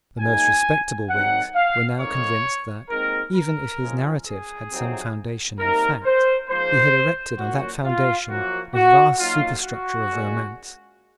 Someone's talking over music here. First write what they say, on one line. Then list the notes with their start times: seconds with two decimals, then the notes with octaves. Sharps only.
The most respectable Whigs were now convinced that, even if his narrative had some foundation in fact, he had erected on that foundation a vast superstructure of romance.
0.20 G#2 F#3 A#3 D#4 G#5
1.10 D#3 F#3 C4 D#4 F#5
1.55 F5
2.00 F2 D#3 A#3 D#4 C#5
2.89 A#2 G#3 C4 D#4 A#4
3.35 A#4
3.80 F#2 F3 G#3 C#4
4.25 G#4
4.70 F2 C3 F#3 C4 D#4
5.59 C3 D#3 A#3 D#4 A#4
6.05 C5
6.49 G#2 F3 A#3 C5
7.39 A#2 F#3 C#4 F#4
7.85 F4
8.30 F#2 F3 A#3 F#4
8.75 F#4
9.19 A#2 F#3 A#3 D#4 F4
9.64 F#4
10.09 A#2 G#3 C#4